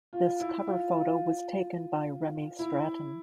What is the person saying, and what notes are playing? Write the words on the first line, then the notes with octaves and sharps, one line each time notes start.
This cover photo was taken by Remy Stratton.
F4
E4
F4
F4
E4